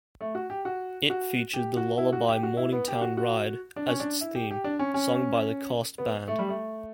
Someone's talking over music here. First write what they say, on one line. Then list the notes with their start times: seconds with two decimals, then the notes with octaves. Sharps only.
It featured the lullaby "Morningtown Ride" as its theme, sung by the cast band.
0.21 A3
0.35 F#4
0.50 G4
0.65 F#4
1.10 F#4
1.53 G4
1.77 F#4
1.98 E4
2.13 F#4
2.28 G4
2.43 F#4
2.57 E4
2.72 B3
2.88 G4
3.01 F#4
3.17 F#4
3.76 D4
3.88 C#4
4.00 D4
4.21 E4
4.35 G4
4.51 G4
4.64 D4
4.79 C#4
4.94 C#4
5.98 B3
6.28 A3
6.39 G3
6.49 A3